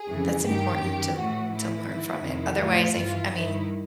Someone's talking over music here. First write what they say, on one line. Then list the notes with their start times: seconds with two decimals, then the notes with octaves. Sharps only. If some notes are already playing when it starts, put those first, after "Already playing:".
That's important to to learn from it. Otherwise, I f I mean
Already playing: G#4
0.09 F2 C#3 E3
0.44 G2 D#3 G4
0.80 F#2 D#3
1.16 A2 E3 F#4
1.51 A2 E3 E4
1.88 G#2 E3
2.24 F2 C3 D#3
2.59 A2 E3 F4
2.95 G2 E3 F4
3.31 G2 D#3 E4